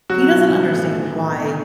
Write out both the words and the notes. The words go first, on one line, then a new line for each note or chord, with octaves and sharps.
He doesn't understand why
F#3 F#4
B2
E3
A2
A2
A2
B2